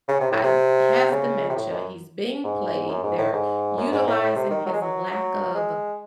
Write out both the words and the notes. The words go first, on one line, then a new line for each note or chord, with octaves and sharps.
I has dementia, he's being played, they're utilizing his lack of
C#3
C3
A2
C3
C#3
C3
A2
F#2
G#2
F#2
G#2
A2
G#2
F#2
G#2
A2
A2
C3
D#3
F#3
G#3
F#3
F#3
G#3